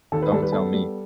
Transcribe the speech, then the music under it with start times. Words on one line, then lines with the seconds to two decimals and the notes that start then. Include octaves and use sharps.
"Don't tell me."
0.12 D#2 A4
0.22 B4
0.32 G3 A4
0.42 B4
0.52 B3 A4
0.73 G3